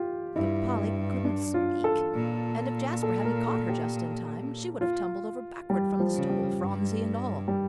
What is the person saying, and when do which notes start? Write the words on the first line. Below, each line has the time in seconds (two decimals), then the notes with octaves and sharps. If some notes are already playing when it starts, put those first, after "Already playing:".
But Polly couldn't speak; and if Jasper hadn't caught her just in time, she would have tumbled over backward from the stool, Phronsie and all!
Already playing: F4 G4
0.35 G2 E4
1.25 D4
1.54 F4
1.84 A4
2.14 A#2
3.03 A4
3.25 A#4
3.47 A4
3.69 G4
4.81 F4
5.70 G3
5.99 F3
6.15 C#3
6.29 G3
6.59 G2
7.48 G3